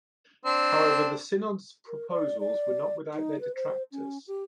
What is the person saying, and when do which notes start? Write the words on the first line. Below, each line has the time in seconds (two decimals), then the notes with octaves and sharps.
However, the synod's proposals were not without their detractors.
0.46 C4 D4
1.88 A#4
2.11 D5
2.40 D5
3.14 D#4
3.41 B4
3.55 C5
3.92 C#4
4.28 G4